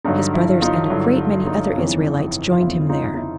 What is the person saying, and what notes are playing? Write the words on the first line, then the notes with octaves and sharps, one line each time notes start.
His brothers and a great many other Israelites joined him there.
G2 D3 F#3 D#4
E4
D#4 F4
G2 D3 F#3 E4
D#4
G1 F2 C#3 E3
F4
G1 F2 C#3 E3 E4
D#4 F4
D#4
E4